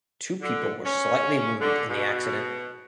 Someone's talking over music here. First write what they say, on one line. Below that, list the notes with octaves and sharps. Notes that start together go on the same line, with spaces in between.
Two people were slightly wounded in the accident.
D3
C#4
D3
B2